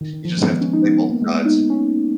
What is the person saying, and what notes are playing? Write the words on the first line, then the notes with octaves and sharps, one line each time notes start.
you just have to play both sides.
D#3
D#3
F3
G#3
B3
C#4
D#4
B3
B3
A#3
G#3
B3
D#4
C#4